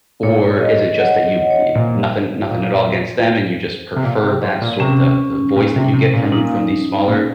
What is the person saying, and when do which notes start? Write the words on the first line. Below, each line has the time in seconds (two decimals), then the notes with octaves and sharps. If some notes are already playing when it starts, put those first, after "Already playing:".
or is it just that you you know, nothing nothing at all against them, and you just prefer that sort the the voice that you get from from these smaller,
0.23 A#2 C#5
0.61 D#5
0.99 F#5
1.24 D#5
1.50 C#5
1.75 A#2 C5
2.51 A#2
3.96 C3
4.04 A#2
4.23 C3
4.42 G#2
4.61 A#2
4.80 C3 C#4
5.56 A#2
5.76 C3
5.94 C3
6.14 A#2
6.32 A#2 D#4
7.08 A#2